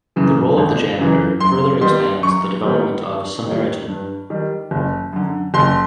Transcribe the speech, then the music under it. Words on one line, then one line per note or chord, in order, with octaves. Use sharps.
The role of the janitor further expands the development of "Samaritan".
F#2 C#3 E3
G#1
F#2 C#3 E3
F#2 C6
D#3 G3 B3 C6
F#2 C#6
D#3 G3 B3
G2
D#3 G3
G2
D#3 G3
F#1
F#2 D3
F#1 C6